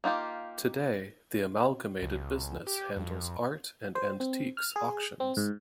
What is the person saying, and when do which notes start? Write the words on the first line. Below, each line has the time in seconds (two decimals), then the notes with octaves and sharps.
Today, the amalgamated business handles art and antiques auctions.
0.04 A#3 D#4 F4 G4
2.02 C#2
2.67 G4
2.96 F2
3.95 C5
4.20 C4
4.57 F6
4.76 G#4
5.20 C4
5.37 G#2